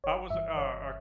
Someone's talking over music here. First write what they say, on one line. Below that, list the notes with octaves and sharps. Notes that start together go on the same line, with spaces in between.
I was, a, uh uh
G1 C#5
G2 E3 E5
G1 C#5